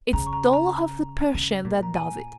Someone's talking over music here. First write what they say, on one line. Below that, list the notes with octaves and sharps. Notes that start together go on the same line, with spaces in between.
It's 'Dolokhov the Persian' that does it!
C#3 A#5
C#6
A#5
A#5
C#3
A#2
A#5
G#5